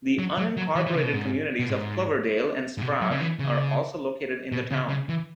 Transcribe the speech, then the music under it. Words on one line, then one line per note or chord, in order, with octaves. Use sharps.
The unincorporated communities of Cloverdale and Sprague are also located in the town.
F#3
F#3
F#3
E3
E3
C#3
B2
G#2
B2
G#2
G#2
B2
F#3
C#3
E3
C#3
B2
C#3
C#3
E3